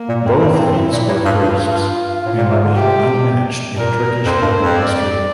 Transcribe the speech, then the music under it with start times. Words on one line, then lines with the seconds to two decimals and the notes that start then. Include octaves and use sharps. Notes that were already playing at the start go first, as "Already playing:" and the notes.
Both feats were firsts, and remain unmatched in Turkish football history.
Already playing: A#3
0.09 A#2
0.25 F2 C4
0.42 G2
0.53 A2
0.59 G2
0.75 E4
0.92 A#2
1.08 A2
1.25 G2 F4
1.43 G2
1.59 G2
1.76 F4
2.26 A2
2.38 A#2
2.51 C3
2.64 D3
2.75 C3 G4
3.76 A#2 A#4
4.26 F2 C5
4.42 G2
4.59 F2
4.76 D5